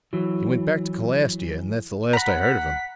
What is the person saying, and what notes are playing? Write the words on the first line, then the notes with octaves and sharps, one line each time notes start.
"He went back to Calastia, and that's the last I heard of him."
E3 F#3
F#5 A#5 B5 B6